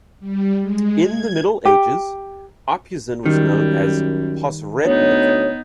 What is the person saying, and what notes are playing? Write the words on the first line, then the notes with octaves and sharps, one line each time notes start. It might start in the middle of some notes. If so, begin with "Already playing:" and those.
In the Middle Ages, Opuzen was known as Posrednica.
G3
G#3
G#6
G4
F#2 D#3 G3
D2 B3 D#4 C#5